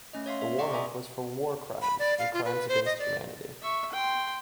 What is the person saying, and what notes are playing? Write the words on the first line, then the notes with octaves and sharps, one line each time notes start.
The warrant was for war crimes and crimes against humanity.
A3 C#4 D#5
C#5 E5 F5 C6
E5
D5 D#5 F#5 G5 C6 C#6
G#4 E5 G#5 A#5 D6
B5
D5
F5
F4
B4
C5
D#5
D5
E5 C#6
G5 C6